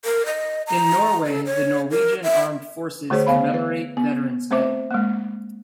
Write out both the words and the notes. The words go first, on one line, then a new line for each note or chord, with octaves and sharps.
In Norway the Norwegian Armed Forces commemorate Veteran's Day.
A#4
D#5
A#5
A4
C#5
A#4
E5
D3 A3 F#4 G#4 C5 C#5
D3 B3 F5 B5
B4
B3
A3 C4 C5 E5 D6
G#3 A#3